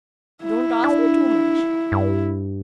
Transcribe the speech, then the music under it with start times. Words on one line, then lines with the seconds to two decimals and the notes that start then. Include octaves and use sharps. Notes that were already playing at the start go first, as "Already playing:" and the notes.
'Don't ask me too much.
0.44 E4
0.84 D4
1.92 G2